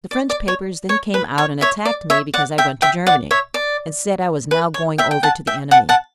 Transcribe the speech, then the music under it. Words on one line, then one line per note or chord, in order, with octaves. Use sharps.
The French papers then came out and attacked me because I went to Germany; and said I was now going over to the enemy.
D5
D5
C#5
C#5
B4
C#5
C#5 E5
D5
C#5 E5
D5 F#5
E5 G5
E5 G5
D5 F#5
C#5 E5
D5
B4
C#5
E5 G5
G5
F#5 A5
E5 G5
F#5 A5
F#5 A5